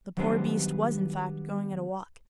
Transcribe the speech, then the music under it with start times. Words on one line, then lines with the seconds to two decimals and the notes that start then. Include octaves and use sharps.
The poor beast was, in fact, going at a walk.
0.17 D#3 F#3 G3 B3 D4 C5